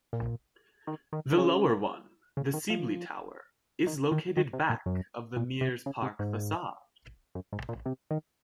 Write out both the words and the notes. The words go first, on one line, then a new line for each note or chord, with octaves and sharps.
The lower one, the Sibley Tower, is located back of the Mears Park facade.
A#2
D#3
D#3
D#3
C#3
C#3
D#3
F3
D#3
D#3
D#3
C3
A#2
F#2
A#2
C3
C#3
C3
G#2
F#2
G#2
A#2
C3
D#3